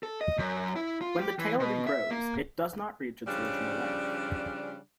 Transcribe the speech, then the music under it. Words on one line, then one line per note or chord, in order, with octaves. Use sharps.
While the tail regrows, it does not reach its original length.
A4
D#5
F#2
E4
F4
G4
E3
B2
E5
A#3
C#3 F3 G3 C#4 D4